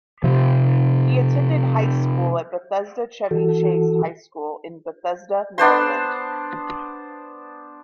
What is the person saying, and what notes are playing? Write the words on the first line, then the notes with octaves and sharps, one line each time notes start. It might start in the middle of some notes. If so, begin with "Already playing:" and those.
He attended high school at Bethesda-Chevy Chase High School, in Bethesda, Maryland.
C3 F3
E3 F#4 A4
B3 D4 C5 C6